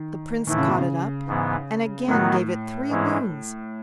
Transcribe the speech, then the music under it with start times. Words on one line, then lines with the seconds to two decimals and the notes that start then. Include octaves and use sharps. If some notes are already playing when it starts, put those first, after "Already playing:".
The Prince caught it up, and again gave it three wounds.
Already playing: D#3
0.47 A2 D#3 E3 A3 E4
0.57 C#3
0.68 B2
0.78 C#3
1.27 G#2 E3 B3
2.08 A2 D#3 F#3 B3 F#4
2.89 G#2 E3 G#3 C#4 E4